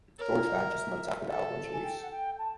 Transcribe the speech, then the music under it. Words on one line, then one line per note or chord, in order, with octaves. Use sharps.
George died just months after the album's release.
A#4 C#5
D#5
D#5
E5
A4
G#5
G5
F#5
G5
A5